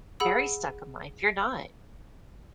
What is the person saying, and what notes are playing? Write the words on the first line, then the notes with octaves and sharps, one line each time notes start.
very stuck in life. You're not.
G#4 F#5 B5 E6